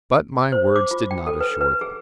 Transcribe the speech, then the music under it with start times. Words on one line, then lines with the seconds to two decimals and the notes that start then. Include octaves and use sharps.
But my words did not assure them.
0.52 C5
0.76 D6
0.91 F4
1.11 G5
1.27 A4
1.40 B4
1.61 B4
1.81 G#4